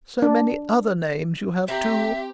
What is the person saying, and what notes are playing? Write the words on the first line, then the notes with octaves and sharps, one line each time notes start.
So many other names you have, too.
D4
C4 G4 E5 A#5